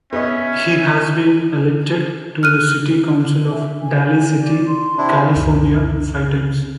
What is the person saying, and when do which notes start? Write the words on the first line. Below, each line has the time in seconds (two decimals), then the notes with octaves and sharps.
He has been elected to the city council of Daly City, California five times.
0.13 B3 C#4 D#5 E5
2.43 F6 F#6 D#7
3.51 E5
3.81 G#5
4.40 D5
4.66 C6
4.98 C3 D4 E4
5.36 C#2 F#2 A#2 E3